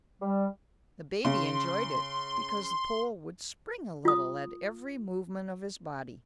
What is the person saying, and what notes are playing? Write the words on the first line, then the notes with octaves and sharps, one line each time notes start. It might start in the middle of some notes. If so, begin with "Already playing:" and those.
The baby enjoyed it because the pole would spring a little at every movement of his body.
G3
C#3 C6
F4 D#6